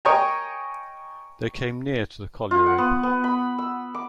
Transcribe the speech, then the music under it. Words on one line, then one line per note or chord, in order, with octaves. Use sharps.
They came near to the colliery.
A#4 C#5 D#5 G5 G#5 A#5
F4
F#5
B3
B3
B5
E6
D6